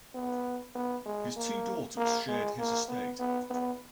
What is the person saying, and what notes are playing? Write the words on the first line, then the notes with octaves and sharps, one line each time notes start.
His two daughters shared his estate.
B3
B3
G#3
A#3
A#3
G#3
A#3
B3
B3
B3